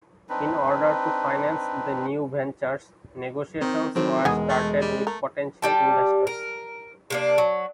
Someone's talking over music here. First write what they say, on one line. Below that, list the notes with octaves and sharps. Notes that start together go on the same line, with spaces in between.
In order to finance the new ventures, negotiations were started with potential investors.
C4 D4 D#4 B4
D#3 C4
A2 D#3 F#3 C4
E1 G#3 B3 D#4 G#4
A3
G3
A3 A#4
G3 G4 A5
A#4
C3 A#3 D4
F#3